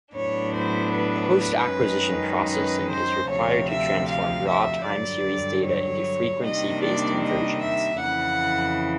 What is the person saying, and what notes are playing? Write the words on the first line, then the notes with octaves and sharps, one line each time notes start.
Post-acquisition processing is required to transform raw time-series data into frequency-based inversions.
A2 F#3 B3 D4 C#5
C5
B4
F#2 D#3 G#3 C#4
B4
C5
D2 C3 F3 C#5
E5
F5
E5
G2 D3 F#3 D5
C#5
C3 D#3 G3 A#3 D4 D#5
D5
D#5
E5
F2 C#3 E3 F#5